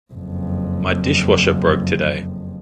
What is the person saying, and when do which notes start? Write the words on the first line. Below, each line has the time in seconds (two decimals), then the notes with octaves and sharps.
My dishwasher broke today.
0.13 F#1 F2